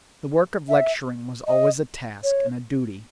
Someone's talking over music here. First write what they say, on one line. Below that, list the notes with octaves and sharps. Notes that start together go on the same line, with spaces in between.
The work of lecturing was always a task and a duty.
E5
D#5
C#5